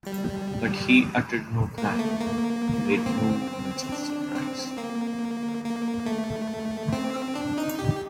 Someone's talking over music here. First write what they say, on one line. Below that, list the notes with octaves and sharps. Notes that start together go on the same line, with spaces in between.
But he uttered no cry; he made no movement of surprise.
G3
A#3
A3
A#3
C4
D4
C4
A#3
A#3
A3
C4
D4
D#4
G4